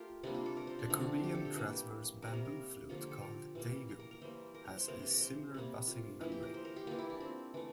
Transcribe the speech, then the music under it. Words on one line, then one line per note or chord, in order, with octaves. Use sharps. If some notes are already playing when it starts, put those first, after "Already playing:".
The Korean transverse bamboo flute called "daegeum" has a similar buzzing membrane.
Already playing: A3 F4 G4 A#4
C3 G3 A#3 D4
F4
A4
A#4
C5
D4
D3 F3 A3 C4
D4
D4
G4
A4
G4
E3 G3 A#3
C3 G3 A#3 A#4
A#4
A#4
D3 F3 A#3 F4
G4
A4
A#4
E3 G3 A#3
A#4
A#4
A#4
E3 G3 A#3 C5
A#4
A#4
C5
C3 E3 A#3 A#4
C5
A#4
C5
C3 G3 A#3
F4
E3 A#3 E4
G4
A#4
C5
A#4
G4
E3 A#3 F4
E4
D4
C4
E3 A3